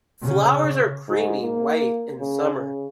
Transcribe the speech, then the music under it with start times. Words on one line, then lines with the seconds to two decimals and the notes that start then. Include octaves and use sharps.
Flowers are creamy-white in summer.
0.23 C#3
1.08 G#2
1.43 A#3
2.20 C#3
2.58 C#3